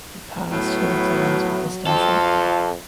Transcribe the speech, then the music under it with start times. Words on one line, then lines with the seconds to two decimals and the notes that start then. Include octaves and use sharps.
He passed his exams with distinction.
0.49 A2 F#3 B3
1.87 F2 C4 F4 A4